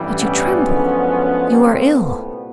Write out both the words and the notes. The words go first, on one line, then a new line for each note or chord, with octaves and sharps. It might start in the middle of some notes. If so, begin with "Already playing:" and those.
But you tremble--you are ill!
Already playing: A1 G2 E3 G3
B3 C#4
F#2 D3 F3 G#3
C2 A#2 G3 A#3 C4
A3 B3